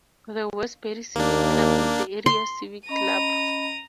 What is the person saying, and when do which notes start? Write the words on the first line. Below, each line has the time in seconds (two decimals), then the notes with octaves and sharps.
The Westbury Civic Club is the area civic club.
1.16 D#2 A#3 D4
2.26 C6
2.89 C#4 D#5 A#5 B5 D#7